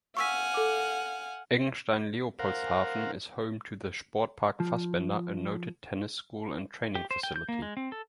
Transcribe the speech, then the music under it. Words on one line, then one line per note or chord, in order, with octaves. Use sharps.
Eggenstein-Leopoldshafen is home to the Sportpark Fassbender, a noted tennis school and training facility.
F5 F#5 G#5 C#6 E6 B6
A4 D6
A#4 C5 F5 F#5
F3
G4
C5
G5
G6
A#3
G#3
C4
A4